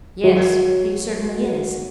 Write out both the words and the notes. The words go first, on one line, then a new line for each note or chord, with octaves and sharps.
"Yes, he certainly is."
F#3